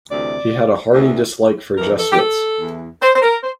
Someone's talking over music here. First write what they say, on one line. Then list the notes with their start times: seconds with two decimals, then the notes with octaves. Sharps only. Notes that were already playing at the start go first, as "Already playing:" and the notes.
He had a hearty dislike for Jesuits.
0.09 D2 C3 E3 D5
0.94 D2 C3 E3
1.76 F2 E3 A#4
1.98 A4
2.12 G4
2.18 A4
2.60 E2 E3
3.02 C5
3.16 C5
3.22 A#4
3.43 C5